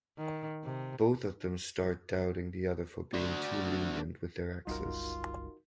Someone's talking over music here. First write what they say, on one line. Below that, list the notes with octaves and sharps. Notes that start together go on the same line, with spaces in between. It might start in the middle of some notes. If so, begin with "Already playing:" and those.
Both of them start doubting the other for being too lenient with their exes.
D#3
C3
D4 F#4
F#1 C2 G3 D#4 F4 F#4 A#4